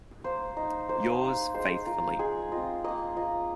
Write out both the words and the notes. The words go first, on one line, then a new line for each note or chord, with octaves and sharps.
Yours faithfully.
A#3 C5
D#4 D#5
A#3 C5
D#4
G#3 C5
F4 A#4
G#3 G#4
C4 F4 D#5
A#3 D#5
F4 D#5